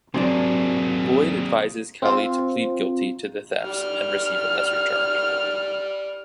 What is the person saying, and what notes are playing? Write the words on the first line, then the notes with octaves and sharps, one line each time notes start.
Lloyd advises Kelly to plead guilty to the thefts and receive a lesser charge.
C3 F#3 A#3 D4 G#4
C4 F4
G3 F6